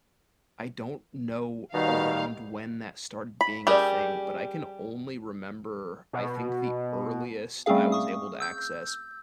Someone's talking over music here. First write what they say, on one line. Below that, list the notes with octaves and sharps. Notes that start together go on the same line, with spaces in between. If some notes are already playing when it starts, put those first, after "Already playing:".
I don't know around when that started being a thing, but I can only remember I think the earliest I was able to access
B2 D#3 G3 D#4 F5
B5
G3 C#4 G4 G#4 A#4 D5
B2
G3 A3 C4 C#4 G#4 F5
C#6 D#6
E6 G6